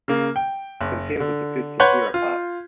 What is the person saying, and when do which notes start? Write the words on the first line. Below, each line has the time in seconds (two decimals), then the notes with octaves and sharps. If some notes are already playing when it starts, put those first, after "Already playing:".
Compare with the kutsinhira part.
0.08 C#3 A#3
0.36 G5
0.81 F#1
1.20 D3
1.80 B4 C#5 F#5 C6 G6 G#6
2.14 F4